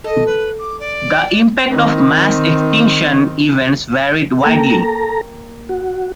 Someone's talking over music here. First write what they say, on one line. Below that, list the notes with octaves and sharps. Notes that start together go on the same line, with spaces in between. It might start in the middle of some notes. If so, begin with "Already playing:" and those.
The impact of mass extinction events varied widely.
A4 D#5
B4
D6
D5
D#3 C4
A#3 A4 G5 A#5
F#4